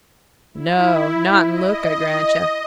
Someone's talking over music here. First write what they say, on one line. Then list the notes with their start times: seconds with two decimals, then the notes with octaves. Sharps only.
'No! not in look, I grant yo'.
0.53 E4
1.48 D#5